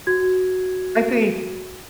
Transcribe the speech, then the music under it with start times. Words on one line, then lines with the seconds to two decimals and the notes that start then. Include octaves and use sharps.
I think
0.07 F#4 G#6